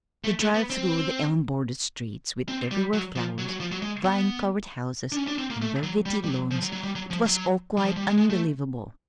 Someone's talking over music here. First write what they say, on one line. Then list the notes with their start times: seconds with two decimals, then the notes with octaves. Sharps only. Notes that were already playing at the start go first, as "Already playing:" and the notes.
The drive through the elm-bordered streets with everywhere flowers, vine-covered houses, and velvety lawns--it was all quite unbelievable.
0.24 A3
0.40 A3
0.55 B3
0.70 C4
2.48 C4
2.71 G3
2.93 F#3
3.16 F3
3.38 F#3
3.49 F#3
3.60 F3
3.72 F#3
3.82 G#3
4.05 B3
5.12 D4
5.16 C#4
5.28 D4
5.38 C4
5.50 A#3
5.62 A3
5.83 F#3
6.06 G3
6.24 G3
6.28 F#3
6.51 F3
6.62 F#3
6.73 F#3
6.84 G3
6.95 F#3
7.10 F3
7.26 F#3
7.78 F#3
7.85 F3
7.96 G3
8.07 G#3
8.18 G#3
8.30 A3